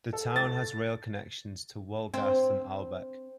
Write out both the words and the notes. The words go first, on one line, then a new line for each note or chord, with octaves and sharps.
The town has rail connections to Wolgast and Ahlbeck.
A4
A6
C4